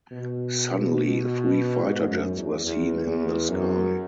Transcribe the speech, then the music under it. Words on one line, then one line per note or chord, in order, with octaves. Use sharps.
Suddenly three fighter jets were seen in the sky.
B2
G#2
F#2
E2
E2
E2
F#2